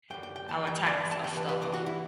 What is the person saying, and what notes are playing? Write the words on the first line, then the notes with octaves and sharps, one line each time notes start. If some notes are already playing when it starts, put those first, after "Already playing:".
Our tanks are stopped.
F#2 D3 G3 G5
G5
G5
G2 E3 G3 A5
G5
G2 E3 G3 D5
A5
G2 E3 G3 G5
B4
B4
G2 E3 G3 G4
F#4
E4